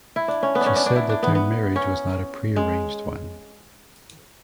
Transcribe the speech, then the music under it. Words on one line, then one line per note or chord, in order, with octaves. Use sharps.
She said that their marriage was not a pre-arranged one.
E4
D4
C#4
B3
D4
C#4
D4
D4
E4
D4
B3
B3
C#4
G#3